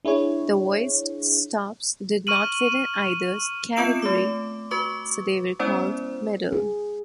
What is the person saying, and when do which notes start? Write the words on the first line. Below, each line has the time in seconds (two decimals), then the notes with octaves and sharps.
The voiced stops did not fit in either category, so they were called "middle".
0.05 D4 E4 G#4 C#5
2.27 C#6 F6 D#7 F#7
3.76 B3 C4 F4 E6 D7 E7
4.02 A3 D6
4.71 F#4 B4 C#6 D6
5.59 G#3 B3 C#4 E4 C5 D5
6.53 G#4